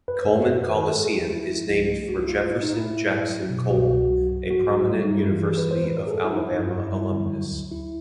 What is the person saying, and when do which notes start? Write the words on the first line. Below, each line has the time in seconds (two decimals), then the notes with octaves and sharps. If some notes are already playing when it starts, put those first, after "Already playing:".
Coleman Coliseum is named for Jefferson Jackson Coleman, a prominent University of Alabama alumnus.
0.08 F#2 B4
0.21 C5
0.29 F#2
0.35 C#5
0.48 F#2 C5
0.62 B4
0.68 D#3
0.75 A#4
0.89 G#3 A4
1.02 G#4
1.09 G#3
1.16 G4
1.29 G#3 E4
1.48 F3
1.69 C2
1.89 A3
2.09 C2 F#4
2.24 E4
2.29 A3 F4
2.41 F4
2.49 A2 E4
2.63 D#4
2.70 A2
2.77 E4
2.90 A2
3.10 A2
3.30 F#3
3.50 B2
3.69 C2 F#4
3.90 C2
4.11 F#3
4.30 G#2
4.50 G#2 F#4
4.70 F#3 F#4
4.91 G3 F4
5.04 D#4
5.11 G2
5.18 E4
5.31 E3 F4
5.44 G#4
5.50 E3
5.58 B4
5.71 G#3 C5
5.84 B4
5.91 A2
5.98 A#4
6.07 G#4
6.11 G#3 A4
6.25 E4
6.32 F3 D#4
6.38 E4
6.51 G2 D#4
6.65 F4
6.71 G2
6.78 E4
6.92 G3
7.11 D3
7.32 F#3
7.52 D2
7.72 D2 E4